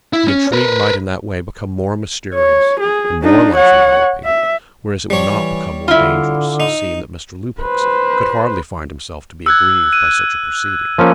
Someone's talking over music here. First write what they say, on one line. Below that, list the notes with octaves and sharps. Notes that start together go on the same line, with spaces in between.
The intrigue might in that way become more mysterious, and more life-enveloping; whereas it would not become more dangerous, seeing that Mr. Lupex could hardly find himself to be aggrieved by such a proceeding.
E4
C#4
A#4 B4
C#5
G#4
D4 D#4
C#5 F#5
E5
F3 G3 C#5
E3
D3 E4 F4
D#4
B4 C5
E6 F#6 G#6
D#7
F3 A#3 C#4